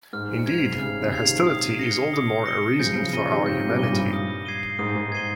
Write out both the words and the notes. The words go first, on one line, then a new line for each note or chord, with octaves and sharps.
Indeed their hostility is all the more a reason for our humanity.
G#2 F6
G#6 C7 F7
C#3
G#2 C3 F6
A#2 C#3
G#6 C7 F7
C3 D#3
D#6
A#6 C#7 G7
D#6
A#6 C#7 G7
C#3 F3 G6
C#3 F3
A#2 C#3 A#6 D#7 G7
C3 D#3
G#2 C3 G6
G2 A#2
A#6 D#7 G7
G2 A#2
D#6
G#6 C7 D#7 G7
G#2 D#6
G#2
G#6 C7 D#7 G7